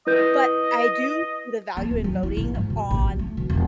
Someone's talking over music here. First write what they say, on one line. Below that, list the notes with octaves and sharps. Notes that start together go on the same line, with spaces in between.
but I do the value in voting on,
E4 B4 D#5 G6
A#3
D1
F#3
E4
A#1
G#2
B2
A#1
B1
A3
B2
E1